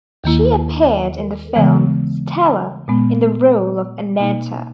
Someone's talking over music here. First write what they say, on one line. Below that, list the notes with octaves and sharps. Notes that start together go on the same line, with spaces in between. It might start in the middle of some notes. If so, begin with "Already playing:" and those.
She appeared in the film "Stella" in the role of Anetta.
D#2 D#3 A#3 E4
C#3 E3 G#3 B3
A#2 G#3 B3
B2 A#3 D#4